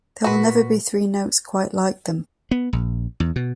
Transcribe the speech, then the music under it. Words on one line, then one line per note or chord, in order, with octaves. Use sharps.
There will never be three notes quite like them.
A#2 F#4 B4
B3
A#1
E2
B2